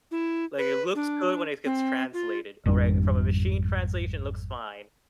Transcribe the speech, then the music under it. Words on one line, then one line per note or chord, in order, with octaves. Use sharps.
like, it looks good when it gets translated, alright, from a machine translation looks fine.
E4
B4
D4
C4
F4
G#1 F2 G3 D4